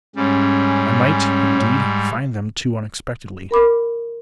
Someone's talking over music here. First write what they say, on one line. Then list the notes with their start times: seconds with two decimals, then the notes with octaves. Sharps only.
I might, indeed, find them too unexpectedly!
0.16 G#2 G3 C#4
3.51 A#4 B5 D6